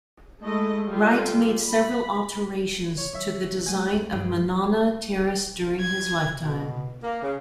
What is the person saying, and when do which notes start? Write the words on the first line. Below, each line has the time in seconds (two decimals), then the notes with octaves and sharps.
Wright made several alterations to the design of Monona Terrace during his lifetime.
0.43 G#3 A3 E4 A4 D#5
0.88 G3 F4 G4 A4
1.67 B5
2.98 C#5
3.13 D#3 F#3 C#5 E5
3.66 G#3 A3
3.93 F2 F4
4.12 G2 F3
5.80 G#6
6.40 B2
7.02 A#3
7.22 C#3